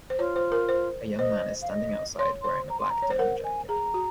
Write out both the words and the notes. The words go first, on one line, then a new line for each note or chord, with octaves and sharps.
A young man is standing outside wearing a black denim jacket.
C5
F4 C#5
C5
A#4
C5
C5 D#5
F5
D#5
C#5 C6
C5 C6
A#5
C6
A#5
C#5
C5
A#4 F#5
G#5
G#4 A#5
F#4